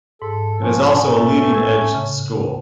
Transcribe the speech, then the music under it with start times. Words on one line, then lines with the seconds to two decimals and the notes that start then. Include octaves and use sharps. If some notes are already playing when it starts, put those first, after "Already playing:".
It is also a Leading Edge school.
0.22 G#2 A4
0.61 F3 C#4
1.04 A3
1.52 A2 E6 G#6
1.94 C#3